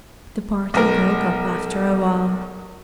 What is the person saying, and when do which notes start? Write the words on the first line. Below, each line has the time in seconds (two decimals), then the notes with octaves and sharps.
The party broke up after a while.
0.74 B1 A#4